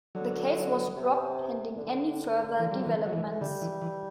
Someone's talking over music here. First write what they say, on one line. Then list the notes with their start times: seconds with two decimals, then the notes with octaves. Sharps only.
The case was dropped pending any further developments.
0.15 D3 F#3
0.96 C3
1.78 D3
2.59 E3
2.71 G3
2.79 F#3
2.86 E3
3.06 F#3
3.13 E3
3.29 A3
3.41 D3 G3
3.62 E3
3.82 E3